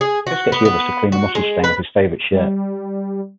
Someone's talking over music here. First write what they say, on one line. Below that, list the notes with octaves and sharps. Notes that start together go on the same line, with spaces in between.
Chris gets the others to clean the mustard stain off his favorite shirt.
G#4
F#4
B3
B3
F#4
G#3
B4
G3